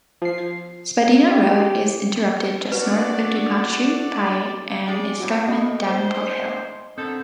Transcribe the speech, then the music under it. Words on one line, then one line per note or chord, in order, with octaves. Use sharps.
Spadina Road is interrupted just north of Dupont Street by an escarpment, Davenport Hill.
F3 C7
G4
D4 F#4 A4 B4 D5
G#3 D5
A2 F#4 F#5
D#5 B5
D4 C5
D3 D#3 C4 A4 G6